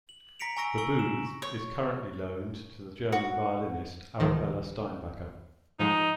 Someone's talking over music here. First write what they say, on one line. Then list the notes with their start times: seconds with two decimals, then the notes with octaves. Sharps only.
The "Booth" is currently loaned to the German violinist Arabella Steinbacher.
0.09 F#7
0.40 A#5 A#6 B6 C#7 D7 F7
0.57 G#5 A#5 C#6 E6 A#6 D7
0.78 G#5 C#6 E6 F#7
0.99 E7
1.42 C#5
3.12 F#4
4.19 C#2 D#3 F3
5.79 G#2 F3 G#3 D#4